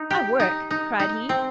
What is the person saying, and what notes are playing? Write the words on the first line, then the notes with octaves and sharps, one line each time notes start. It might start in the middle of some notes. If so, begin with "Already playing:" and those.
"I work!" cried he.
Already playing: D#4
G4
D#4
D#4
D#4
C4